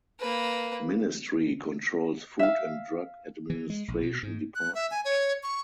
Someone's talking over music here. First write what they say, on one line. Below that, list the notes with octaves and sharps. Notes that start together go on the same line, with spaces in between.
Ministry controls Food and Drug Administration Department.
A#3 B4
E5 F5
E3
G#3
A#1
B2
G#2
F#6
E5
G#5
C#5
C#6